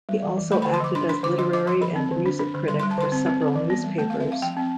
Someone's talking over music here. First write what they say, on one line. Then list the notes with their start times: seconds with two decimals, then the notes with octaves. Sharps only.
He also acted as literary and music critic for several newspapers.
0.09 G3
0.23 E3
0.37 E3
0.52 A3 B5
0.62 B5
0.66 D3
0.74 C6
0.80 F3 D6
0.95 D4 C6
1.09 D4 C6
1.24 D3 D6
1.38 F3 C6
1.53 F3 D6
1.67 F3 C6
1.81 F3 B5
1.96 C4
2.11 D3
2.26 D4
2.39 D4
2.54 D3
2.68 G3 C6
2.80 C6
2.83 G3
2.91 A5
2.98 D3 C6
3.12 C4
3.26 C4
3.42 C4
3.55 E3
3.70 B3
3.84 G3
3.98 A3 A5
4.10 F5
4.13 C4
4.20 E5
4.28 C4 F5
4.42 F3 G5
4.57 C4